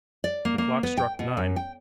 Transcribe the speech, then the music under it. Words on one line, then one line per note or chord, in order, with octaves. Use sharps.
The clock struck nine.
D5
A#3
A#3
B3
G5
B2
F#2
G5